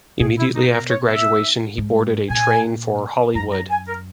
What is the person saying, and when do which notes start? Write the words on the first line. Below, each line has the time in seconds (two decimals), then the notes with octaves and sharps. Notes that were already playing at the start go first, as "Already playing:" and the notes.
Immediately after graduation, he boarded a train for Hollywood.
0.20 B2 G#4
0.38 E4
0.55 D#4
0.72 A#4
0.89 C#5
1.08 E5
1.78 G#2
2.30 A#2 G#5
3.35 F#2 A#5
3.52 A#5
3.70 G#5
3.88 A#4